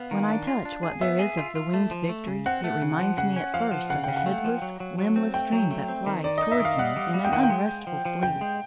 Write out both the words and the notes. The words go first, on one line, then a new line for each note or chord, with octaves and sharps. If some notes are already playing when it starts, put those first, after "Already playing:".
When I touch what there is of the Winged Victory, it reminds me at first of a headless, limbless dream that flies towards me in an unrestful sleep.
Already playing: B3 F5
D#3
D4
F4
D4
G#4
B3 E5
G#4
F4
F4
A3
F3
A3
C#3
C4 F#5
A3
C#3
F3
C#3 F#5
C#4
F3 F5
F3
C#3 F#5
C#3 G5
F#5
A3
F3
F#3
F#3
F#3
C4
A3 G5
F#3
A3
C4
D#3
D#3 D5
D#4 D#5
E5
D#3 F5
G3 F#5
G3
G3
G5
D#3 F#5
G5
G#3
G#3
F3
F3
C#3 G5
G#3